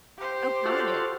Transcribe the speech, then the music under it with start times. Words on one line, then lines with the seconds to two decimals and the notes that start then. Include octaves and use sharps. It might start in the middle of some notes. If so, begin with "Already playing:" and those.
Oh, got it.
0.18 G4 C5
0.65 F4 F#4 A4